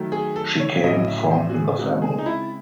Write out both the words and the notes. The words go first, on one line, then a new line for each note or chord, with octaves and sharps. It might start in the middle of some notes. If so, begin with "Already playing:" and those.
She came from the family.
Already playing: D#3 F#3 A3
G#4
A4
C#5
A2 F#3 C#4 D#5
E5
C5
F#4
G#4
C#3 G#3 C4 D#4 F#4
G#4
D#4
E4